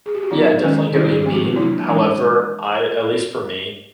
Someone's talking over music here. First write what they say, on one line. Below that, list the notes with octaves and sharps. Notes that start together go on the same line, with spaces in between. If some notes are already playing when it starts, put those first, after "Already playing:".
Yeah, definitely get what you mean. However, I at least for me,
G#4
G4
F#4
F#3 B3 D4 D#4 F4
D#3 G#3 C#4
D#3 G3 C4 D4 E4
G#4
F3 G#3 C4 G4
F#4
F4
F#3 A#3 D4 E4
E3 G#3 C#4 D#4